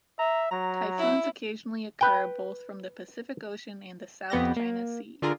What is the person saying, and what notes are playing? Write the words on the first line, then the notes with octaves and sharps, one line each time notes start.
Typhoons occasionally occur, both from the Pacific Ocean and the South China Sea.
E5 A#5
F#3 A#5
E4
B4 G5
F2 B3 G4 A#6
A#3
D3 F4 G#4 A#4